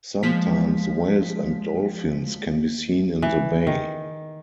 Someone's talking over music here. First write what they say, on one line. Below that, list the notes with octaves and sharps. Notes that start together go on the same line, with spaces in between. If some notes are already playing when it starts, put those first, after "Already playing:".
Sometimes, whales and dolphins can be seen in the bay.
F3 G#3 B6
E3
D#3